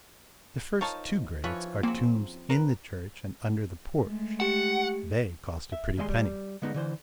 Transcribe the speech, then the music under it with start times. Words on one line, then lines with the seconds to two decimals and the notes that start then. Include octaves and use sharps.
The first two grades are tombs in the church and under the porch; they cost a pretty penny.
0.81 D#4 F4 A#4 C5 C#5 A5
1.44 E3 F3 B4 C#5
1.83 C#3 F#3 A#3 C4
2.50 A#4 B4
4.03 G#3 A3
4.40 G4 F#5 C#7
5.72 E5
5.97 D#2 G3 G#3 D#5 G#5 C6
6.09 G3
6.62 D3 G#3 B3 D#4
6.74 D3 E3 C5